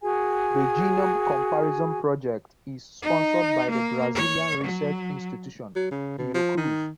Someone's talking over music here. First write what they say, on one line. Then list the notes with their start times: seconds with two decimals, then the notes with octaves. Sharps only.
The Genome Comparison project is sponsored by the Brazilian research institution Fiocruz.
0.02 F#4 G#4 G#5
3.02 D#4
3.70 A#3
4.15 C#5
4.63 F#3
5.76 F#3
5.91 C#3
6.18 B2
6.34 F3
6.57 D#3